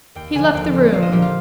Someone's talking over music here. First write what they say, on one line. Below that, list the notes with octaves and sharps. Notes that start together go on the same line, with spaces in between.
He left the room.
D#2 G5
D3 F3 G#5
D#2 G5
D3 F3
A#1 F5
D#5
A#2 F3 G4
F4